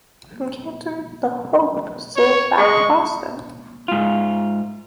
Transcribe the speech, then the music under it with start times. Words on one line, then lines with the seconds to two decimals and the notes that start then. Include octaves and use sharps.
From Canton the "Hope" sailed back to Boston.
2.16 C#5
2.57 G#3 C#6
3.88 G#2 F4